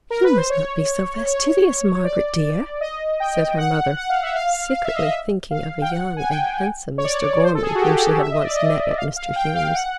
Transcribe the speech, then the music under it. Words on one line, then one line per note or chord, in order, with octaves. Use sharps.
'You must not be so fastidious, Margaret, dear!' said her mother, secretly thinking of a young and handsome Mr. Gorman whom she had once met at Mr. Hume's.
A#4
B4
C5
C#5
C#5
D5
D#5
G5
F#5
F#5
F5
E5
F5
F5
E5
D#5
E5
F5
G5
F#5
G#5
G5
C#5
D5
C5
A4
G#4
F#4
G4
A4
E5
D#5
D5
D#5
F5
F5
G5
F5
F#5